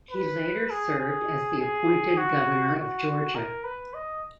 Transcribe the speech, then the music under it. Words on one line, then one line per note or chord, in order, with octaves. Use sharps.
He later served as the appointed governor of Georgia.
B4
G#4
G#4
G#4
F#4
F#4
A#4
B4
D#5